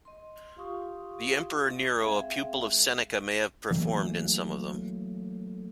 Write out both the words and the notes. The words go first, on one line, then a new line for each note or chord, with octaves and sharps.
The emperor Nero, a pupil of Seneca, may have performed in some of them.
D#5 C6
F4 G4 F5 C6 C#6 D#6
G#3 C4 G#4 E5 F5 G5
E3 F#3 A3 A#3